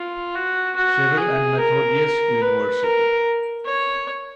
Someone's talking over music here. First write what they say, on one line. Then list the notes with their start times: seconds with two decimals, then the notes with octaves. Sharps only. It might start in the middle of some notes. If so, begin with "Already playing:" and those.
Cyril and Methodius University.
Already playing: F4
0.35 F#4
0.76 F#4
1.17 G#4
1.59 A#4
2.41 B4
2.83 A#4
3.65 C#5